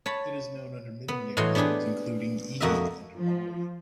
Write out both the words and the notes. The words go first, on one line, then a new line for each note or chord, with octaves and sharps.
It is known under many nicknames, including "e" and "Molly".
C#5 A5 B5
B3
A2 E3 F#4 C#5 D#5 C6
B3 D4 G4 G#4 B4
F2 A#3 F#4 D#5 E5
F3